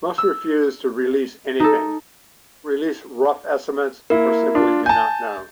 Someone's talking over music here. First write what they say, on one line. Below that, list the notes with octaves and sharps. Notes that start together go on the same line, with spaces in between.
Most refuse to release anything, release rough estimates or simply do not know.
E6
D#4 A4
A#3 E4 A#4
D4 F4
G#5 A5 G6